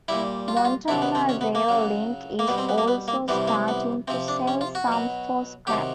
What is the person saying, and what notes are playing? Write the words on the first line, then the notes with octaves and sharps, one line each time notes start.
Montana Rail Link is also starting to sell some for scrap.
A#2 G3 E4
F4
F#4
F4
C3 D#3 F#3 E4
B3
C4
C#4
B3
A#3
C#3 F#3
A#3
B2 G3 B3
C4
B3
A#3
B3
A#3
C3 E3 G3 B3
A#3
B3
C3 F3 C4
D4
C#4
F4
F#4
B2 F#3
C3 D#3 F#3 G4